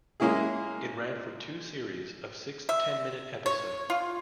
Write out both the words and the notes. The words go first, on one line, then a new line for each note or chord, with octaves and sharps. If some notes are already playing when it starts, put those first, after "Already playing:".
It ran for two series of six ten-minute episodes.
G#3 A#3 C#4 E4 G#4
E5
C#5
F4